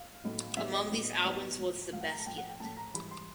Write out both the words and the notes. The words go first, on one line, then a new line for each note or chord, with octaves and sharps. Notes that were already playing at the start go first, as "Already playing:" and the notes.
Among these albums was "The Best Yet".
Already playing: F5
A2 F#3 B3 D#4
A2 F#3 B3 D#4 E5
D#5
A2 F#3 B3 D#4
A2 F#3 B3 D#4 D5
A2 F3 A3
A2 F3 A3 F5
F#5
A#5
A5
A2 F3 A3 G5
F#5
G5
A2 F3 A3 A5
A#5
G#2 E3 G3 B5
C6